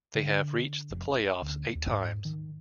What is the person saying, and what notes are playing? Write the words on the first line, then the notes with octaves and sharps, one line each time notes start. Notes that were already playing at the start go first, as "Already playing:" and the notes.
They have reached the playoffs eight times.
D3
F1
C#4
D2
D#2
G#2
D#3